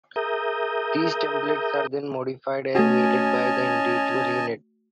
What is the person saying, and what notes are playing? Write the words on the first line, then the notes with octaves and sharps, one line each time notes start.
These templates are then modified as needed by the individual unit.
G#4 A#4 E5 A#5 D#6 G6
A3 C#4 F#4 D#5 G#5 A5